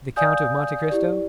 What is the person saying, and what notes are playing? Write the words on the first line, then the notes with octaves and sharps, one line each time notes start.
"The Count of Monte Cristo?"
D5 F5 G#5 D#6 G6
E4 G4 D5